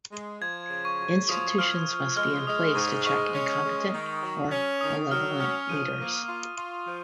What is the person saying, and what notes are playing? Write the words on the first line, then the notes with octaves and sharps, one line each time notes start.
Institutions must be in place to check incompetent or malevolent leaders.
G#3
F3 G#6
C#3
C#6
F#2
F3 D#6
F3 F6
F3
G#3 F6
G#3 D#6
G#2 C#6
G#3 C#6
C#4
G#3
D#3
F#3
C#4
D#3 D#6
F#3 F6
C#4 F6
F3 D#7
A#3
F4
F4
F3